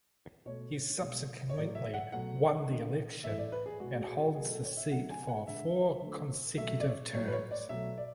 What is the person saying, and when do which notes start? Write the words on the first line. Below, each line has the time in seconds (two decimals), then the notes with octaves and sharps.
He subsequently won the election and holds the seat for four consecutive terms.
0.46 B2 A3 C#5
1.01 B2 G#3
1.49 C#5
1.57 A2 F#3 A3 D5
1.75 E5
1.94 F#5
2.12 B2 F#3 A3 F#5
2.68 D3 A3
3.24 A2 E3 A3 E5
3.38 D5
3.52 B4
3.66 G#4
3.80 B2 G#3 F#4
4.02 F#4
4.07 G#4
4.35 B2 F#3 A3 G#4
4.49 A4
4.64 C#5
4.77 E5
4.91 D3 F#3 A3 F#5
5.10 G#5
5.23 G#5
5.28 F#5
5.46 D3 G#3 E5
6.02 D3 A3
6.57 B2 F#3 A3 E5
6.80 D5
6.86 C#5
7.14 A2 F#3 A3 C#5
7.28 B4
7.32 C#5
7.51 D5
7.69 B2 F#3 A3 E5
7.98 D5